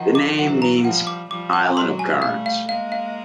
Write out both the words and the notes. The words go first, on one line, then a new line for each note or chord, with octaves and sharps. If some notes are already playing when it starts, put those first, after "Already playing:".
The name means "island of currents".
Already playing: D#3 F3 F#5
D6
E3 F#3 F#5
A#5
F3 G3 F#5
D6
F3 G3 D6
F#5
F#3 G#3 C6
G#5
G3 A3 F5
F5
G#3 A#3 F5
F5